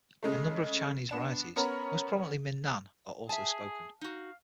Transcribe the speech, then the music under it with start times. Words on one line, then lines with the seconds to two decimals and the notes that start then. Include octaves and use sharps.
A number of Chinese varieties, most prominently Min Nan, are also spoken.
0.23 C#3 G#3 A3
1.09 B3 D4 E7
1.56 B3 C#4 A#4 C#5 A#5 B5
3.29 G#4 E5 G#5 A5
4.01 D#4 F#4 F5